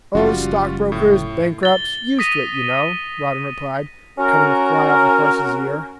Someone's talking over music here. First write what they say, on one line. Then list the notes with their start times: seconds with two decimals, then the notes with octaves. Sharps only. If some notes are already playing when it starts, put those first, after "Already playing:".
"O stockbrokers--bankrupts--used to it, you know," Rawdon replied, cutting a fly off the horse's ear.
0.15 F#1 F3 G3 C#4 F4 F#4
0.92 A2
1.63 A6 G7
2.19 D#6 A#6 B6 D#7
4.18 C#4 F#4 A#4